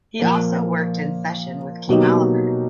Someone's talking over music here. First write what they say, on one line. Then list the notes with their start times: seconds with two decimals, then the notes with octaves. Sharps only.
He also worked in session with King Oliver.
0.19 A#2 F3 A#3
1.89 B2 F#3 A#3 D#4 G4